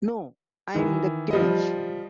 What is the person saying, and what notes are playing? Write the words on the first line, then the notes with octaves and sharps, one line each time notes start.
No I'm in the Cage.
D#3 E3
F3 G3 D#5